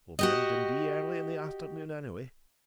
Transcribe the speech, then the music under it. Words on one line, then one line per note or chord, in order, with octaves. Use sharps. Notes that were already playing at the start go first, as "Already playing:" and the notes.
We'll be in Dundee early in the afternoon, anyway.
F#4 G4 D#5